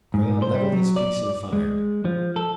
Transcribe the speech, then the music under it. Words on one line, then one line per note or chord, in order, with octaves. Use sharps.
Crayon leveled his piece and fired.
G#2
C5
G3
F#3
D5
G#3
F3
A4